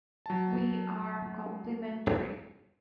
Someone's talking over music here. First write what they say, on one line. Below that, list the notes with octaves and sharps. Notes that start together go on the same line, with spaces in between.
We are complementary.
F#3 A5